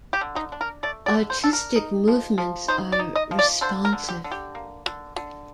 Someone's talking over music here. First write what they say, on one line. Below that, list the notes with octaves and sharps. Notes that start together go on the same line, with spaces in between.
Artistic movements are responsive.
G4
D3
D#4
D4
A#4
A3 D5
D5
D3
C5
D4 A4
A#4
D#4
F3
F3
D#4 C5
D5
D#4
D#5
F3
D5
D3 C5
A#4
D3
G4
D3
G4
A#3
D3
D3